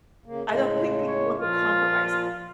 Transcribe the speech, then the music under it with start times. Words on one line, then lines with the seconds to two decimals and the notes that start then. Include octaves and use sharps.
I don't think people want to compromise.
0.26 C#3 A#3
0.45 A2 C#3 G#3
1.07 C#5
1.39 A#2 F3 F4